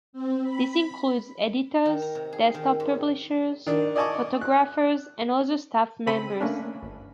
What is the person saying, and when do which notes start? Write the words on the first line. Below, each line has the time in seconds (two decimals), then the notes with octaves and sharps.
This includes editors, desktop publishers, photographers, and other staff members.
0.13 C4
0.43 B5
1.85 D#3
2.02 A#5
2.15 C3
2.33 G#4
2.54 D#3
2.80 G#2
3.67 D#3 D4
3.96 D5 D#5 G#5 A5 C#6 D6
4.41 F#6
6.07 C#3 C4 A4 B5 B6 D#7
6.40 A3 A#3 C#4 D4
6.83 G1